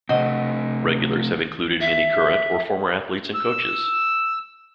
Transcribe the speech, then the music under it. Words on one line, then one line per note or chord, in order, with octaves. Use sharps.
Regulars have included many current or former athletes and coaches.
C3 A3 C4 D4 F#4 D#5
E5
E6